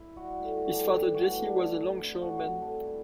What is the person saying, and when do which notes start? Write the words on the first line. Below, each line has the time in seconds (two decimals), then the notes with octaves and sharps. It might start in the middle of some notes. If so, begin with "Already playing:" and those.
His father Jessie was a longshoreman.
Already playing: E4
0.16 G3 F#4
0.41 A2 E4
0.57 F#4
0.65 E3 G3 G4
0.74 A4
0.90 A2 B4
1.14 E3 A3 F#4
1.39 G2 D4
1.56 D4
1.63 D3 A3
1.72 E4
1.89 C3
2.04 E4
2.13 F#3 A3
2.22 F#4
2.37 C3 F#4
2.62 G3 A4
2.87 E4